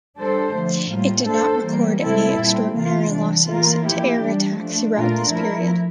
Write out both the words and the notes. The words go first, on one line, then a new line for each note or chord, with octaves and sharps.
It did not record any extraordinary losses to air attack throughout this period.
G3 D4 A4 C5
D3 F3 A3
A2 G3 A#3 F4
A3 D4 A4 C5
E3 G3 A#3
C3 G3 C4 E4 A4
A#2 G3 C4
C3 E3 A#3 F4
E3 G3 D4
A2 E3 A#3 F4 A#4
F3 A#3 E4 G4
E3 G3 D4
F3 A3 D4
A#2 A3 D4 F4 A#4
F3 A3 E4 A#4